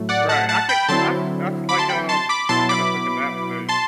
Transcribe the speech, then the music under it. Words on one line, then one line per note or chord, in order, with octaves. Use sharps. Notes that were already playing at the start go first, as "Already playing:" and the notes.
Right, I can I s I s like, um I kinda took a nap today,
Already playing: A2 F#3 A3
D5 F#5
F#5 A5
F#5 A5
G5 B5
D3 F#3 C4 E4 A5 C6
B5 D6
A5 C6
G5 B5
A5 C6
B5 D6
B2 F#3 B3 E4 A5 C6
B5 D6
A5 C6